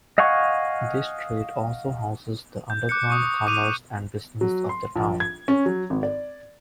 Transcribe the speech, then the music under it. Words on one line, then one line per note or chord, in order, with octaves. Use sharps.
This street also houses the underground commerce and business of the town.
D#5 F5 F#5 G#5 C#6
G6
D6 F#6 G6 C#7
C#6 D#6
D6 D#7 F7
F#3
C6
A#1
G#6
C#4
F#3
G#1
D5